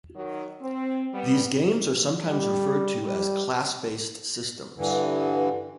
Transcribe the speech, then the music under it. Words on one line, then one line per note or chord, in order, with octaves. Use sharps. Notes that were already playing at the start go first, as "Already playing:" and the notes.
These games are sometimes referred to as 'class-based' systems.
D#3 F#3
C4
G3 B3
G3
G3
G2 D3 E3